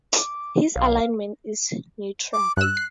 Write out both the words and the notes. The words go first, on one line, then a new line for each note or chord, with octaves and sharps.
His alignment is Neutral.
D6
B1 F5
D6
G2 E6 F#6
C7